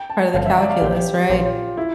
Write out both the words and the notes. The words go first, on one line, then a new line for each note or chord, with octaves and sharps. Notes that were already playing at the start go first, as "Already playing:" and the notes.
part of the calculus, right.
Already playing: G5
A5
G1 G2 D3 F3 C4 F5
E5
D5
F5
A#1 A#2 F3 C4 G4
A#1 A#2 F3 C4 F4
E4